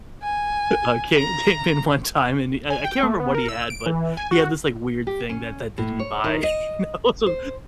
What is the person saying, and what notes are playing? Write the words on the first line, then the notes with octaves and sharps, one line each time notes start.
uh, came, came in one time and i I can't remember what he had, but he had this like weird thing that that they didn't buy, you know, so
G#5
A#5
G#5
G5
A3
B3
A#4
E6
D7
E3
G#5
F#4
G4
C#4
A2
C#5
D#3
D#5
C5